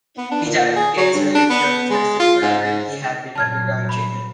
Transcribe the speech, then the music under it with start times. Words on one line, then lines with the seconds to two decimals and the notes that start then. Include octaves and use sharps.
He died from cancer in Sherman, Texas where he had been undergoing treatment.
0.17 B3
0.31 D4
0.45 A#2
0.76 G#4
0.97 F#3
1.14 G2
1.35 D4
1.50 B3
1.90 G#3
2.20 F4
2.42 G#2
2.62 G#2
3.35 G2 A#2 F#3 A5 F6 G#6
3.89 B5